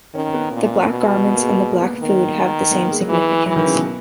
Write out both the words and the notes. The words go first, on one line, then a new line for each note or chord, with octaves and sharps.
The black garments and the black food have the same significance.
D#3 C#4
B3
A#2
B2
B3
A#3
G#3
A#3
G#3
A#3
B3
D#3
B3
A#3
G#3
F#3
E3 G#3
E3 F#3
D#3
C#3
B2